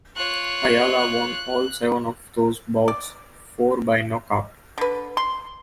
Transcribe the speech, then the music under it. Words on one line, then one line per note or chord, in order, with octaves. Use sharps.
Ayala won all seven of those bouts, four by knockout.
F4 C#5 F#6
D5
D3 B4
C6